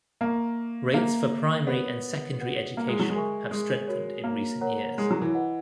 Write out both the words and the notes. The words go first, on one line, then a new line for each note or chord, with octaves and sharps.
Rates for primary and secondary education have strengthened in recent years.
A#3 A#4 E5 A#5 C#6
A#3 A#4 E5 A#5
B3 F#4 A#4 C#5
F#4 B4 F#5
A#3
G#3
F#3
G#3
A#4 E5 G#5 C#6
G#3
F#4 A#4 C#5
A#3
A#4 C#5 F#5 A#5
G#3
F#3
E3
B4 D#5 F#5